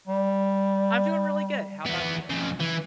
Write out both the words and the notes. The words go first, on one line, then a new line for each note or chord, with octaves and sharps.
I'm doing really good. How about you?
G3
E2 B3
F2 C#3
E3